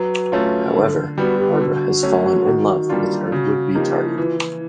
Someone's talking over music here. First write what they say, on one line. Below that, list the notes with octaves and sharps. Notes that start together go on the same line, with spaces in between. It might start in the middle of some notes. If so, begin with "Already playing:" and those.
However, Barbara has fallen in love with her would-be target.
Already playing: F#3 B4
A3 C#4 F4
D3 A4
G3 B3 F#4
G4
F4
D3 F#4
F#3 A3 C#4
D#3
G3 A#3 D4 F4
C#3 F#4
F3 A#3 D#4 G4
E4
E3 F4
E4